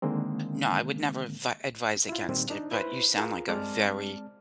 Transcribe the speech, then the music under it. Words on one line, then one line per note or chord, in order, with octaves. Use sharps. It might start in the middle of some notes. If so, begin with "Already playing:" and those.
No, I would never advi advise against it, but you sound, like, a very
D3 D#3 G#3 A#3 C4
E4 F4
A#2 D#3 G3 C4
D4 D#4
E4 B4 C5
F4 G#4 A#4
G#3 C4 D5 A5 F6